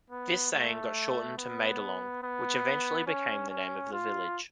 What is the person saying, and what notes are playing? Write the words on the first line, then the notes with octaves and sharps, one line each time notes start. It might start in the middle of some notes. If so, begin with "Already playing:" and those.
This saying got shortened to Maydolong, which eventually became the name of the village.
B3
A3
B3
B3
C#4
C#4
F4